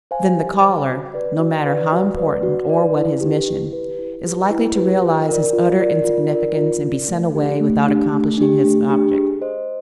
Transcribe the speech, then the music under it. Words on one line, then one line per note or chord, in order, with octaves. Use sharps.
Then the caller, no matter how important or what his mission, is likely to realize his utter insignificance and be sent away without accomplishing his object.
C5 F5 G#5
G4
C5 F5 G#5
F#4
B4 D5
F#4
B4 D5
F#4
B4 D5
F#4
B4 D5
E4
G4 B4
E4
G4 B4
E4
G4 B4
E4
G4 B4
F4
A#4 D5
F4
A#4 D5
F4
A#4 D5
F4
A#4 D5
A3
D4 G4
A3
D4 G4
A3
D4 G4
A3
D4 G4
G#4
C5 D#5